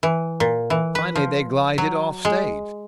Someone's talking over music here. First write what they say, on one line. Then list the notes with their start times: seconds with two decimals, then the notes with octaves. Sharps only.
Finally they glided off stage.
0.03 E3
0.40 A#2
0.70 E3
0.95 B4
1.16 F3
1.78 F#3
2.25 G#3